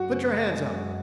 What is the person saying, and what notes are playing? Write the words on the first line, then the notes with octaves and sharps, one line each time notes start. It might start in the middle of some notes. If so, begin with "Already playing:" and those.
"Put your hands up!"
Already playing: F#2 F#4
C#3
C#3
G#3
F#2